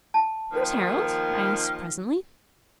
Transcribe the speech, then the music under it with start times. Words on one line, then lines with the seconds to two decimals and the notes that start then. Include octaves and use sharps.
"Where's Harold;" I asked presently.
0.14 A5
0.52 D#2 D#3 F3